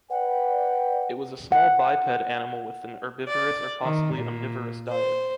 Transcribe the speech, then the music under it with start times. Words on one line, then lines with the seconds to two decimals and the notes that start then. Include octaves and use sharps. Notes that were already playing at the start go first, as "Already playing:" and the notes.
It was a small biped animal with a herbivorous or possibly omnivorous diet.
0.10 B4 D5 F#5 G5
1.52 F#5
3.28 D5
3.81 D#3
4.16 A#2
4.89 C5